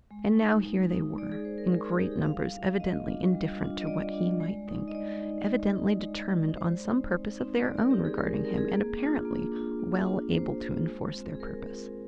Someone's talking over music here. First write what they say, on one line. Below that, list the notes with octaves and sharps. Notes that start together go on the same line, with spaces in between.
And now here they were, in great numbers, evidently indifferent to what he might think, evidently determined on some purpose of their own regarding him, and apparently well able to enforce their purpose.
G#3
D#4
G#3
D#4
G#3 D5
G#4
D#4 C5
A#4
G#3 A#4
G#4
D#4 G4
G#4
G3 F5
F5
D4 F4 F5
F5
G3 D#5
D4 F4
G3
D4 F4
D#5
G3 D5
D4 F4
G#3
D#4
D#5
G#3 D5
D#4
G#3
D#4
G#3
D#4
G#3 C5
C4 D#4
G#3
C4 D#4
G#3 D5
A#4
C4 D#4 G4
G#4
G#3 A#4
C4 D#4 A#4
G#4
A#3
D4 F4
A#3
D4 F4
A#3
D4 F4
A#3 C5
D4 F4
G#3
C4 F4
G#4
G#3 A#4
C4 F4